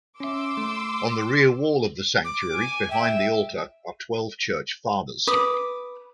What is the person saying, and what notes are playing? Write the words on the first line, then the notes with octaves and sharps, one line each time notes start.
On the rear wall of the sanctuary, behind the altar, are Twelve Church Fathers.
C#4 E5 C6 D6 E6
A3
D6
G#5
E5 G5
B4 D6 D#6